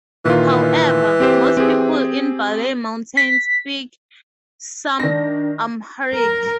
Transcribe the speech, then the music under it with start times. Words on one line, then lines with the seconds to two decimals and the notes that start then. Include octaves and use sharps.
However, most people in Bale Mountains speak some Amharic.
0.25 A#2 D#3 E3 F4
1.20 C4 G4 C5
1.57 C4 G4 G#4
3.17 B6
5.00 D#3 D4 A#6
6.12 A#4